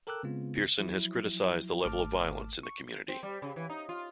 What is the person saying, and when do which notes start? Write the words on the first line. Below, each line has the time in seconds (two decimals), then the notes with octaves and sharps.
Pearson has criticised the level of violence in the community.
0.07 A4 A#4 G5 D6 E6 F#6
0.23 C#3 G#3 B3 C4 F4
0.80 F3 F#3 E4
1.85 G#1 A3 A5 D6 F6
2.63 C#6
3.08 C4
3.23 G3
3.42 C#3
3.56 E3
3.69 D#4
3.89 F4